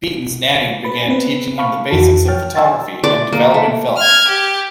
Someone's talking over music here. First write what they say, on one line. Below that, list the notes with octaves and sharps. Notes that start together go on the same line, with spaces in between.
Beaton's nanny began teaching him the basics of photography and developing film.
B4 B5 A6
B3 C4 B4
F5 A5 B5 C#6 F6
F2 E3 F#4 A5
F3 C#5 G5 F6 A6
G#5 E6 A6
D5
A#3
A3
F6 G#6
G4